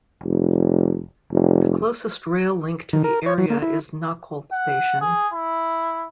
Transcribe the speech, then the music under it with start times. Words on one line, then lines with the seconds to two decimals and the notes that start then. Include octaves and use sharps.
The closest rail link to the area is Knockholt station.
0.23 F1
1.32 F1
2.93 D#3
3.04 A#4
3.26 C#5
3.38 F#3
3.50 A#3
3.62 E4
4.52 F#5
5.01 G#4
5.33 E4